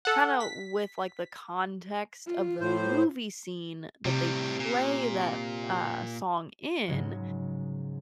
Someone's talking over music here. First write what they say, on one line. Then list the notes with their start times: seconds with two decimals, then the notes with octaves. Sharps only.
kinda with, like, the context of the movie scene that they play that, uh, song in,
0.05 A4 F#5
0.40 B6
2.27 F4
2.60 A2 C5
4.05 A2 C3 G3
4.60 A#2
6.87 G#2 C#3 F#3 G#3